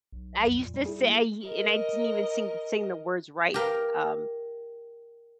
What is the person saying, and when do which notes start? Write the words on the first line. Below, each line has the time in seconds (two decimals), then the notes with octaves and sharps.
I used to say and I didn't even sing sing the words right, eh, um,
0.12 B1
0.45 F2
0.58 A#2
0.74 G3
0.86 E4 G#4
1.04 A#3
1.46 A#4 D#5
3.54 G4 A#4 F5